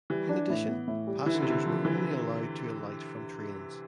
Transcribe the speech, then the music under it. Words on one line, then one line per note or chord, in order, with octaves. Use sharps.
In addition passengers were only allowed to alight from trains.
E3 G3
D4
A2
B3
A2
G3
E3 E4
D3
C3
D3 E4
F3
E3 E4